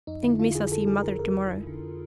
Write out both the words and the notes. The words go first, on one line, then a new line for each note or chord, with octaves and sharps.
Think Missa see Mother to-morrow.
F2 D#4
D3 E4
D3 F4
F2 G#4
F2 A4
D3 G#4
D3 A#4
F2 A#4
F2
D3
D3